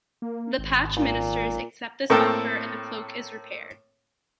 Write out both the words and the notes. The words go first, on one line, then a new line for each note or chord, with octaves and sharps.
The Patch ministers accept this offer and the cloak is repaired.
A#3
G#1
A#2
A2 A#3 C4 A4 G5 A5